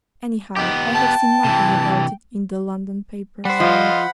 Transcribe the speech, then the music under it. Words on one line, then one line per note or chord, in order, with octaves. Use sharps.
Anyhow, I have seen nothing about it in the London papers.
B3 D#4 G4
G5 A5
C3 E3
G3 C5 F#5 B5
F3 D#5 F5 C6